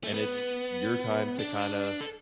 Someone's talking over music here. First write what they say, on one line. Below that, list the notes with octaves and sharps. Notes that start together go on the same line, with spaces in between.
and it's your time to kinda
A3
B3
D4
A4